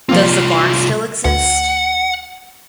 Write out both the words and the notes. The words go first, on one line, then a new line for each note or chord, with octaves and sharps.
Does the barn still exist?
C2 F3 A#3 C4 F4
D2 F#5